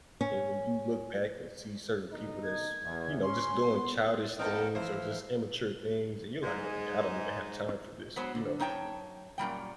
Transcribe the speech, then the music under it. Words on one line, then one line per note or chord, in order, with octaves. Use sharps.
and when you look back and see certain people that's, you know, just doing childish things or just immature things and you're, like, "Oh I don't even have time for this, you know?
C#4
B1 D3 D#4
G#6
E2
C#4 C6
B3
F2 B3 D#4 A4 A#4 C5 G5
E3 F3 E4 C5 F5
G#2 G#3
F#3 G#3 B3 C5
D3
F#2 D#4 C#5 G5 A5
F#2 A#2 G3 G5